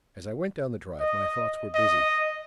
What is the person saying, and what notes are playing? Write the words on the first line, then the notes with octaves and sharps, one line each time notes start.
As I went down the drive, my thoughts were busy.
D#5
D#5